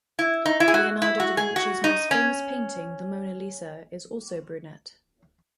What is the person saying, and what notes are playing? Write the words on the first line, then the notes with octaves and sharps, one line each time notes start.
Leonardo da Vinci's most famous painting the Mona Lisa is also brunette.
E4
D#4
E4
G#4
F#4
E4
F#4
G#4
F#4
D#4
C#4